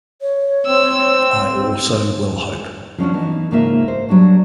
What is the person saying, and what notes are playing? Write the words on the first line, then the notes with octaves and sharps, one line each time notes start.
I also will hope.
C#5
C4 E6
F3 C#4 D4 F#4
E3 B3 D#4
G#2 C#3 A#3 F4 E5
C5
F#3 G3 D4 F#4